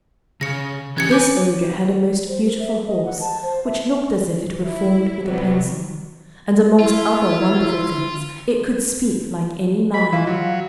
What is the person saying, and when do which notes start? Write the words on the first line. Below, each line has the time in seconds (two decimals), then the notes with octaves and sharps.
This ogre had a most beautiful horse, which looked as if it were formed with a pencil; and amongst other wonderful things, it could speak like any man.
0.41 C#3 A#6 C#7
0.97 E3 C#4 G4 F#6 G#6 C#7
1.11 B4 G#5 D6 G6
2.28 C5
2.44 A#4
2.59 E5
2.87 D#5
3.05 F#5
3.20 A5
3.43 C5
3.65 E5
4.63 E4
5.25 C3 F#3 G3 B3
6.79 E4 F4
9.94 G#3 B5
10.13 E3 F4
10.27 F#3